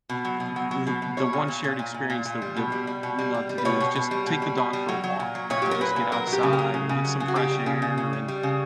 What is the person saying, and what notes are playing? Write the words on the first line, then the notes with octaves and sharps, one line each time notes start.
the, the the the one shared experience that that we love to do is just take the dog for a walk and just get outside and get some fresh air and,
B2
F#3
B2
F#3
F#3
B2
B2
G3 C#5
A#2
A#2
A#2
A#2
A#2
A#2
A#2
G3
B2
G3
G3
B2
G3
G3
G3
B4
B2 C#5
B2
B2
G3
B2
G3
B2
G3
F#3
F#3
A#2
F#3
A#2 C#5
F#3 G4
A#4
A#2 B4
A#2
F#3 A#4
F#3
G4
C#3
A#4
F#3
C#3
C#3
F#3
C#3
F#4
C#3 G4
G3
C#3
C#3
C#3
G3
G3
C#3